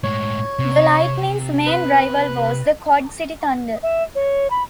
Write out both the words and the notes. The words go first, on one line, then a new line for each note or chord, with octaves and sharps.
The Lightning's main rival was the Quad City Thunder.
A2 G#3 C#5
C3
B4
E5
C#5
B5